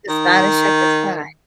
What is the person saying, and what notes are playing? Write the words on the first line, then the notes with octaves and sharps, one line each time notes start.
It's not a shepherd's pie.
D#3